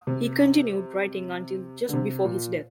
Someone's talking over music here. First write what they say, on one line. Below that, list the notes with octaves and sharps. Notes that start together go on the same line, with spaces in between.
He continued writing until just before his death.
C3
D3
C3
A#2